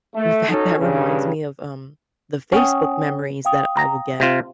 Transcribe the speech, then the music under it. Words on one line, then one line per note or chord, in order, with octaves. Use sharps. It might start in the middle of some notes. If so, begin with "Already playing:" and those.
in fact, that reminds me of, um, the Facebook memories that I will get
A3
C#4 D#4 F#4 A4
G2 C#3
C#4 F#5 G5 D#6
F5 G5 D#6
A#5
C3 F4